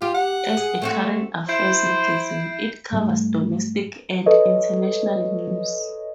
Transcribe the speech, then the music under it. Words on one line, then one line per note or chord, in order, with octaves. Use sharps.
As a current affairs magazine, it covers domestic and International news.
F4 G4
F#5
G#4
A3 C4 F#4
E4 C5 G6 C7 D7
G#2 G3 A3
A4 B4 C#5 D#5